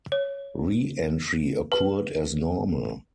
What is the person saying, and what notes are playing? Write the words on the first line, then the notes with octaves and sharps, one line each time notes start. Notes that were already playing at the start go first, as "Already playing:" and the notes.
Reentry occurred as normal.
C#5
B4